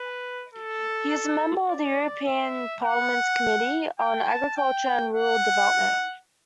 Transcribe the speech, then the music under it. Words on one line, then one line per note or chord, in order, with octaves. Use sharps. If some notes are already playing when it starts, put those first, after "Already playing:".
He is a member of the European Parliament's Committee on Agriculture and Rural Development.
Already playing: B4
A4
D5
E5
F#5
G5
A5
G5
F#5